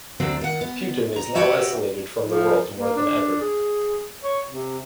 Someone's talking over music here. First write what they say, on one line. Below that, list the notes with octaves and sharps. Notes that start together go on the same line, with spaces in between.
Putin is now isolated from the world more than ever.
D2 F#3 C4 D4
D#3 F#5
B3
A#5
F#4 G4 B4 C#5 E5
F3
A#3
D4
G#4
C#5
C3